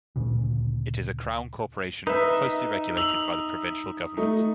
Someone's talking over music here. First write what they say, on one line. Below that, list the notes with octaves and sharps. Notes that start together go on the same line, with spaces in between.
It is a Crown corporation closely regulated by the Provincial government.
D2 A#2 C#3
D#4 B4 E5
E6 F7 F#7
A3 D#4